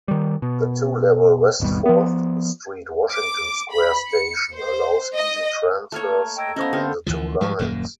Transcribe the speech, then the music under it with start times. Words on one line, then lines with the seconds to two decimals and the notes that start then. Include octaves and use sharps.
The two-level West Fourth Street-Washington Square station allows easy transfers between the two lines.
0.08 D#3 G3
0.42 B2
1.60 G#1 D#2 B2 G3
1.86 F3 B3
3.12 D6
3.71 B5
4.09 C#7
4.53 C5
5.14 D#5
5.92 A3 A#3 C#5 A5 F6 G#6
6.37 A4 D#5 G5 A#5 E6 G#6
6.56 A3 B3 C#4 C5 D#5 F5
6.73 D3 B3 C4 G5 F6 G6
7.07 D2 E3 F3
7.41 G#2 F3 G3 G#3
7.59 D#1 F#2 A#2 A#3